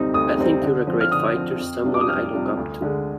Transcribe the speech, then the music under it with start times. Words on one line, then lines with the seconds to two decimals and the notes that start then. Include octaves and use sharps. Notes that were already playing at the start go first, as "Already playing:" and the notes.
I think you're a great fighter, someone I look up to.
Already playing: D2 C3 G3 C4 D#4
0.14 D2 D#6
0.38 C3 G3 C4 D#4
0.62 D3
0.87 F3 C4
1.01 F6
1.11 D3 D#6
1.36 F3 C4
1.60 F2
1.84 C3 G3 D4 F4
1.94 D6
2.01 D#6
2.08 F2 F6
2.33 C3 G3 D4 F4
2.57 D2
2.82 D3 G#3